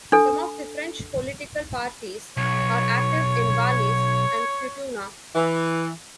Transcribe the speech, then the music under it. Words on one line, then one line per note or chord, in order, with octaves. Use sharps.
Some of the French political parties are active in Wallis and Futuna.
D4 A4
B1 C#5
E3